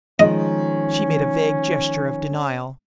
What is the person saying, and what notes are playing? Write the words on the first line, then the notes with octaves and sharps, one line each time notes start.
She made a vague gesture of denial.
D#3 F3 G#3 C#4 D#5